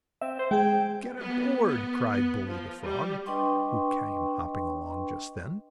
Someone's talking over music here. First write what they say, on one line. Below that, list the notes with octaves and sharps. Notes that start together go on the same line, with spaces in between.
"Get a board!" cried Bully, the frog, who came hopping along just then.
C4 E5
C5
G#3 G#4 G5
B3
B3
B3
F3
G3
D4 B4 D#5 G5 C6 C#6